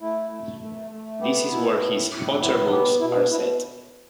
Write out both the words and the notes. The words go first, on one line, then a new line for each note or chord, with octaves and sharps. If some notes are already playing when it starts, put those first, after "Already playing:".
This is where his "otter books" are set.
A3 E4
A3
A3
A3
B3 G4
B2 E4
A2
A2
D4
B3 E4
B2 G4
B2 E4
D4
B2 E4